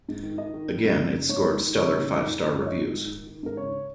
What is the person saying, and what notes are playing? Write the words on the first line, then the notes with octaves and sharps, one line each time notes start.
Again, it scored stellar five-star reviews.
G#2
D#3
D#3 D#5
D#3
G#2
F#2
F#2
C#3
G#2 C#5
D#3
D#3
C#3 C#5
C#3
F#2
D#3
D#3
F#2
C#5
D#3 D#5
G#2
D#3
D#3
D#3
G#2 A#4
C#3 C#5